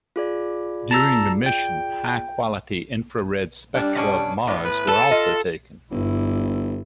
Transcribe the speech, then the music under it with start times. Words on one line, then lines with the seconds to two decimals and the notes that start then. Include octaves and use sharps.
During the mission, high quality infrared spectra of Mars were also taken.
0.16 F4 G#4 D5
0.91 A5 A#5 E6
1.46 G5
3.75 G3 D4
3.95 B2 C#4 D4
4.47 A2 B3 D4
4.65 B4
4.89 A4
5.11 F4 D#5
5.91 G1 G2 E4